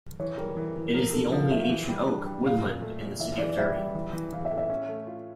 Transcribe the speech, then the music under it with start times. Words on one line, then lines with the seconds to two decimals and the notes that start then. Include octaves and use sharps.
It is the only ancient oak woodland in the city of Derby.
0.20 E3 C#5
0.38 G3 A#4
0.57 E3
0.76 E3
0.94 F3 A#4
1.13 D3 A4
1.32 F3
1.41 F5
1.51 A3 E5
1.59 F5
1.70 E3
1.88 G3
2.07 D4
2.26 G3
2.44 A#2 F5
2.63 A#2
2.82 A3
3.01 A#2
3.20 E3 E5
3.38 E3 D5
3.57 G3 E5
3.76 G3
3.95 E3
4.13 E3
4.33 E3 F5
4.45 E5
4.51 A2
4.58 E5
4.70 C#4
4.89 A3
5.07 F4